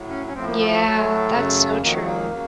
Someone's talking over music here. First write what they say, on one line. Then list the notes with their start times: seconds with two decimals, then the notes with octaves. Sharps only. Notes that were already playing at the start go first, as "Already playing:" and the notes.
Yeah, that's so true.
Already playing: A2 F#3
0.09 C#4
0.27 C#4
0.34 A2 F3 C4
0.46 A#3
0.58 A3
0.71 A3
0.83 A2 F#3
1.32 F#2 C#3 F#3
1.82 F2 D#3 F#3 A#3
1.93 A3
2.05 A#3
2.31 C#3 F#3